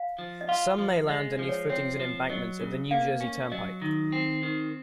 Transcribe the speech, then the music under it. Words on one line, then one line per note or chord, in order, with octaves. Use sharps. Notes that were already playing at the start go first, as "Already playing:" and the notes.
Some may lie underneath footings and embankments of the New Jersey Turnpike.
Already playing: F5
F3
D#5
F4 F5
F3
G#3 D#5
F3
C#5
C4 C#5
F3
F#3 D#5
C#3
A#3 F5
C#4
F#3 D#5
D#3
C4
D#3